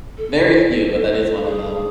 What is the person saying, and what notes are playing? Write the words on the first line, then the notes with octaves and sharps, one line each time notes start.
Very few, but that is one of them.
A4
G#4